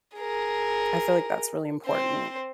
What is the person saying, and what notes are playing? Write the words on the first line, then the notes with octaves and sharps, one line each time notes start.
I feel, like, that's really important.
G#4 A#4
C4 C5